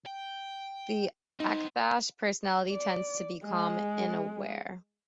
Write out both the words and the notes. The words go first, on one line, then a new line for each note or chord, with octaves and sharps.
The Akbash personality tends to be calm and aware.
G5
B3 C4 D#4
D5
G#3